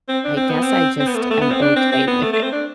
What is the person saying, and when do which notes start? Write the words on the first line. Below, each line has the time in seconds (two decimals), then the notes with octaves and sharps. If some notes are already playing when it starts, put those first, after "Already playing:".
I guess I just am okay with
0.09 C4
0.25 D4
0.37 C4
0.50 B3
0.63 C4
1.00 C4
1.08 B3
1.15 A3
1.22 B3
1.31 A3
1.41 B3
1.51 C4
1.62 D4
1.76 C4
1.92 C4
2.07 B3
2.22 A3
2.33 A3
2.43 C4
2.52 D4